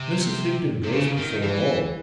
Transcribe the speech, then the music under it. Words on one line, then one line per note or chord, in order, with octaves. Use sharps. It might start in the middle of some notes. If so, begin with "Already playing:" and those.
Mrs Higden goes before all.
Already playing: C3
C3
C#3
D#3
E3